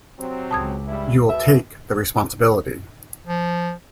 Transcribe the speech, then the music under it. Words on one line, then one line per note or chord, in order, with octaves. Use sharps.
You will take the responsibility.
C3 F#3 C4
C#2 A5 D#6 G#6
G2 E4
B2 E5
F3